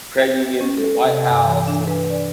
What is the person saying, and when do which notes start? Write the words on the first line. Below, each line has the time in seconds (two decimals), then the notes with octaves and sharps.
credit unions and the White House, and
0.21 G5
0.61 C#4
0.77 A4
1.04 C3
1.28 G2
1.43 E3
1.68 D4
1.87 B4
2.10 D5